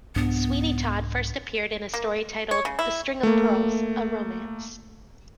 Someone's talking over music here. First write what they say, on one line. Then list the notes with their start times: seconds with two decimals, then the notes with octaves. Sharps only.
Sweeney Todd first appeared in a story titled "The String of Pearls: A Romance".
0.16 C2 G#2 B3 D4
1.94 A#3
2.51 C#5
2.65 C#3
2.79 E4
3.23 A3 A#3